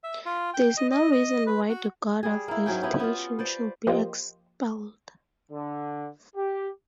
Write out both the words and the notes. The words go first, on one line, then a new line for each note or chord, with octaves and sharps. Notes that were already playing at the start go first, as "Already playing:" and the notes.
There is no reason why the god of vegetation should be expelled.
E5
F4
G5
D#5
D#5
D#5
B4
F#4
G3 G#4
A#3 E4
G#2 F#3 C#4 G5
B3 C#4 E4 G4
B3 F4
B4 C5 D5
F3 A#3 F4 G4 C5 D#5
D3
G4